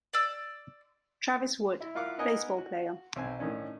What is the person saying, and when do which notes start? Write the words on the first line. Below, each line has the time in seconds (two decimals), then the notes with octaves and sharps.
Travis Wood - baseball player.
0.13 D5 E6
1.81 E4
1.95 E4 F4 A#4 F5 F#5 D6
2.18 B3 D#4 A#4 D#5 F#5 G#5
2.58 F#4
3.16 B1 C4 G#5
3.39 A2 D#3 C#4 D4